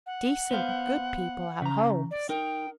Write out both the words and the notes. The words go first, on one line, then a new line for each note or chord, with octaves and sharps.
Decent, good people have homes.
F#5
B3 C5 F5
C#3 A#5
D5
D#4 A#4 G5